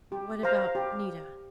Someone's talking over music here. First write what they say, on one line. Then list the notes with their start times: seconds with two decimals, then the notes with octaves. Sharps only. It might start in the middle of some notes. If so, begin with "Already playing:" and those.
"What about--Nita?"
0.12 G4
0.43 C5 F5 A#5
0.75 G4